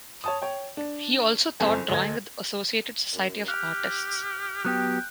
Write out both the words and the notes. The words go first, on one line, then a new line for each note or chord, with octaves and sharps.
He also taught drawing at the associated Society of Artists.
C#5 A5 D#6
C#5 G5
D4
F#1 F2 A4 C5 G#5 A5
D2 A4 D#5 G#6
F#2
G4 F6 F#6
F#3 B3 G4 G5 F#6